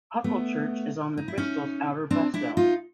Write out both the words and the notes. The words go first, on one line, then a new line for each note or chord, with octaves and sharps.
Pucklechurch is on the Bristol's outer bus zone.
A3 B3
D#4
E4
C#4 D#4
C4 D4
D4 E4
D#4 F4